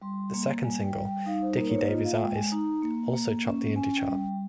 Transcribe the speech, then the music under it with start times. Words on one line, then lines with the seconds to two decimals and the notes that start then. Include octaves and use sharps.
The second single, "Dickie Davies Eyes", also topped the indie chart.
0.02 G3 C6
0.34 A#3
0.64 G3 G#5
0.84 G5
0.95 G3
1.06 G5
1.26 D#4 F5
1.42 C5
1.57 A#3 A#4
1.69 C#5
1.73 C5
1.88 F4 D#5
2.05 F5
2.20 G#3 G5
2.35 G#5
2.52 D#4 A#5
2.82 A#3
3.14 A#3
3.45 C#4
3.76 C#4 G#5
3.96 G5
4.07 G3
4.18 G5